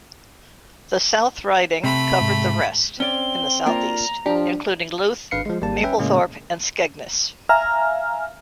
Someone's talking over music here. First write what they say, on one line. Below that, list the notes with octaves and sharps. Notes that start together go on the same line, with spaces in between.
The South Riding covered the rest, in the south-east, including Louth, Mablethorpe and Skegness.
C3 A3 B5
G#2
C4 C#4 D5 G7
A#3 D4 F4 A#5
F3 D4 G4
G#1 D4 B4 F5 C7 C#7
F3 G#3
G#1 G3 A#3 A5
C#4 B4 E5 G5
A2 C#3 G#3 A#3 C#4 G#4
E5 F5 G#5 A#5 F6